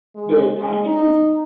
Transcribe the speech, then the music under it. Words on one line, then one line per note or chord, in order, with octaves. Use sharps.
The time difference?
G#3
G#3
D#4